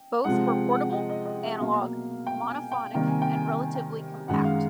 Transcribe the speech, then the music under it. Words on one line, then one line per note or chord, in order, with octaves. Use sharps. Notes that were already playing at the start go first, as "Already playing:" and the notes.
Both were portable, analog, monophonic, and relatively compact.
Already playing: G5
C3 F3 G#3 F#5
G5
F#5
D#5
D#5
D#5
E5
B2 F#3 A#3 F5
G5
G#5
G5
C3 D#3 G3 A#3 G5
G#5
G5
G#5
G5
G#5
G5
F#2 D#3 G#3 F#5
F5